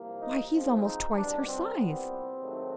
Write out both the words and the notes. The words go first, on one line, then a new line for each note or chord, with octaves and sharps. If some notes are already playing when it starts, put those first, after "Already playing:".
"Why, he's almost twice her size."
Already playing: C2 C3 F3 A#3
D#4
G#2 F3 G#3 C4
D#4
C2 B2 G3 D4
C4
C2 A#2 G3 B3 C4
G#2 D#3 F#3 A3